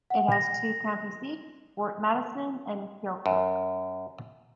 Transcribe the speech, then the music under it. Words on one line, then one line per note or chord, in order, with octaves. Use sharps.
It has two county seats - Fort Madison and Keokuk.
F#5
A#6
F#2